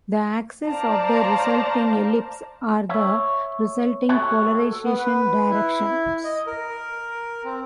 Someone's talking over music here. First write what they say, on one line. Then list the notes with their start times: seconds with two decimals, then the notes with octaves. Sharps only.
The axes of the resulting ellipse are the resulting polarization directions.
0.64 C5 D5 F5 A5 A#5
2.89 C#5 E5
4.09 F#4 G4 A4 C#5 E5 F#5
4.59 A4
4.85 B3
4.98 B4
5.50 E4
6.24 D#5
6.47 A#4
7.44 C4